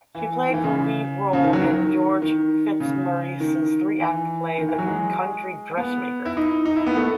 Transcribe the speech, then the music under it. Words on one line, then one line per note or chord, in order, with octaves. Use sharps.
She played the lead role in George Fitzmaurice's three-act play "The Country Dressmaker".
E3
D#3
E3
C#3
C#3
D#3
F#3
D#3
D#3
C#3
D#3
E3
D#3
E3
F#3
G#3
B3
E4
D#4
D#4
E4
B3
A3